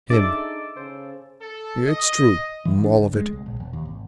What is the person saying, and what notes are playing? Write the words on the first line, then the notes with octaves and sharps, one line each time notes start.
HIM: It's true, all of it.
D4 D#4 G#4 A4 D5 E5
C#3 C5
A4
D#5
E3
D4
C#2
G#3
C2
A#1
E1
D#2
G#1